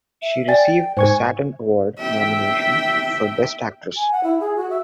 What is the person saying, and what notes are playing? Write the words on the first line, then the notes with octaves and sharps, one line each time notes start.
She received a Saturn Award nomination for Best Actress.
E5
D5 G5 G#5 A6
G#2 C5 G#5 C#6 G#6
E5 G5
G#5
F#5
E4
G#4
F#4
E5